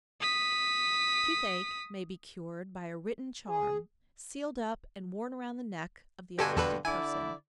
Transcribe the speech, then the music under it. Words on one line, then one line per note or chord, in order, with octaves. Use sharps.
Toothache may be cured by a written charm, sealed up and worn around the neck of the afflicted person.
D#6 B6
G#4
G2 B2 D3 G4 A4 G#5
E2 A4 B4
D3 E4 D5 G#5